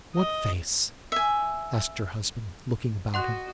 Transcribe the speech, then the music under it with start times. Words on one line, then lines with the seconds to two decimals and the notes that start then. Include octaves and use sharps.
'What face?' asked her husband, looking about him.
0.16 D#5
1.12 E5 G#5
3.14 F#4 D#5 F#5 C6 F#6